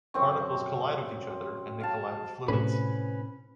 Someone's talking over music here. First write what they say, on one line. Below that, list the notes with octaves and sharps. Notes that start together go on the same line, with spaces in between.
Particles collide with each other, and they collide with fluids.
F#2 C4 C#6
F5 A5
A2 C3 C#4 B4